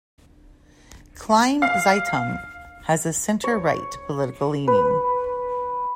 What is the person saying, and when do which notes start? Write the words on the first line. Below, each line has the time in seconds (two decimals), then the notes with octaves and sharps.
"Kleine Zeitung" has a center-right political leaning.
1.62 F5
3.44 C#5
4.68 B4